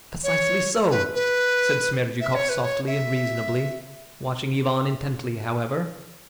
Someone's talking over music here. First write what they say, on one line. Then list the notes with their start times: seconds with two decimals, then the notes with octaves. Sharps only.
"Precisely so," said Smerdyakov, softly and reasonably, watching Ivan intently, however.
0.23 C#5
0.90 B4
1.14 B4
2.21 E5
2.34 C#5
2.49 B4
2.63 C#5
2.87 E5